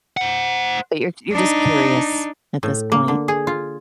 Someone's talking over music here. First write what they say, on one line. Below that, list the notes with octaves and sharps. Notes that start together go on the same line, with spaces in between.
But you're you're just curious at this point.
C5 F#5
D4 D#4
A2
A#3
D3
G#4
F4